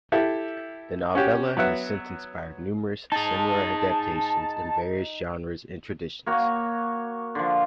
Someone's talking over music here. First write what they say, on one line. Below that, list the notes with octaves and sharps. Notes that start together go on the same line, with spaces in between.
The novella has since inspired numerous similar adaptions in various genres and traditions.
E4 G4 A4 E5
C#4 F#4 G4
F#3 B3 E5 F#5
D#4 G#4 A5
A#3 F#4 C#5
D3 F3